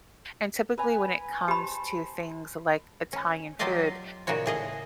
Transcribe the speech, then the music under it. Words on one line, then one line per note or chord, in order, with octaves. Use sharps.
and, typically, when it comes to things like Italian food,
B4 G#5 A#5
G4 C5 A5 B5
C#4
F#3 F4 G4 D5 D#5 F5
A#2 C#3 D#4 F#4 C#5
A2 G#4 D#5 F5